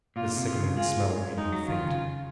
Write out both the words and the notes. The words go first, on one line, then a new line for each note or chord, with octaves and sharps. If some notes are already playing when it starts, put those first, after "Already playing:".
The sickening smell made him faint.
A#2 F4
C3
F4
C#3
G#3 F4
G#3 D#4
F#3
D#3 F4
C#3